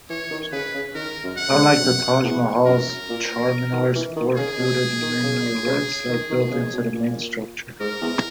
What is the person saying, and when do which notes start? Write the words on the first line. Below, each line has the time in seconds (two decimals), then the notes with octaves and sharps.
Unlike the Taj Mahal's, Charminar's four fluted minarets are built into the main structure.
0.09 E3 C#5
0.31 D#3
0.52 C#3 B4
0.74 C#3
0.95 D#3 A#4
1.24 F#2
1.38 F#5
1.52 G#2
1.81 F#2
2.23 E2
2.66 F#2 A#4
3.09 A#2
3.73 D#3
3.95 E3
4.16 D#3
4.37 C#3 G#4
4.59 B2
5.02 D#3
5.23 C#3
5.66 C#3
6.09 D#3
6.30 D#3
6.46 B2
6.51 C#3
6.73 B2
6.94 A#2
7.80 G#2 A#4
8.01 E2